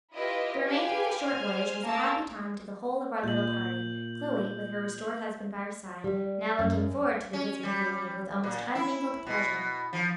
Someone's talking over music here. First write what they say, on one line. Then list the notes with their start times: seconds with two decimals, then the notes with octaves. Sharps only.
The remainder of the short voyage was a happy time to the whole of our little party, Chloe, with her restored husband by her side, now looking forward to the visit to Viamede with almost unmingled pleasure.
0.14 E4 F4 G4 B4 D#5
0.65 G4 B4 F5 G5 G#5
1.19 C5 G#5 F6
1.83 A#3 A#4 A5 E6 A6
3.24 A#2 G6 F#7
6.04 G3
6.59 F#2
7.33 C#4
7.63 G3
8.44 A#2
8.75 E4
9.27 B2
9.93 F3